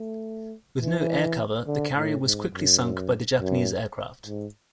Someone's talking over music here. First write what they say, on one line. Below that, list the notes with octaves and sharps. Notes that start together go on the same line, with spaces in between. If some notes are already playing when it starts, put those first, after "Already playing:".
With no air cover, the carrier was quickly sunk by the Japanese aircraft.
Already playing: A3
E3
D3
A2
G#2
F#2
F#2
G#2